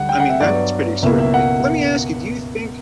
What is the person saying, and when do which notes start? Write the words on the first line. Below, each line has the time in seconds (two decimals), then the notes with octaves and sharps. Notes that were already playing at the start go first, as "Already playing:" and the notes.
I mean that is pretty extraordinary. Let me ask you, do you think
Already playing: D2 D3 G3 F#5
0.09 G5
0.20 F#5
0.29 E5
0.40 G2 F#3 B3 D5
1.02 C#2 B2 A#3 E4 E5
1.18 E5
1.34 F#5